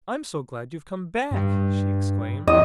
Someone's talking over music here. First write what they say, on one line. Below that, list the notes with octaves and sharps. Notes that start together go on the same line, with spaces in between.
"I'm so glad you've come back!" she exclaimed.
G2
E2 D#5